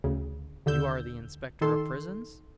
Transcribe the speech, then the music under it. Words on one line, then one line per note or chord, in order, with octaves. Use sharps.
"You are the inspector of prisons?"
D2 C#3
D#2 D3 E6 G6
D#3 A4 C6